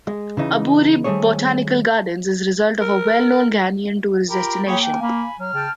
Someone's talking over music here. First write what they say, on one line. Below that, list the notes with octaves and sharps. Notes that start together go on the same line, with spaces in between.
Aburi Botanical Gardens is result of a well known Ghanaian tourist destination.
G#3
C#3 E3 D#4
D#3 G3 A3 C4 G#4 C#5
A#4
F4 G4 A#4 B5
A#3 G4 G#4 C#5 B5
G5 G#5
A#3 B5
F#3 F6
C#3 G5 A5